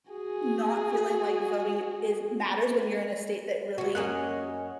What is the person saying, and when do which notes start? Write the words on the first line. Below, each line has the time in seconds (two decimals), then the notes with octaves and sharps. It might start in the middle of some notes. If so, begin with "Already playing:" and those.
not feeling like voting is matters when you're in a state that really
0.11 F#4 G#4
3.78 D2 F#4
3.95 F#2 A#3 C#4 C#5 D#5 F#5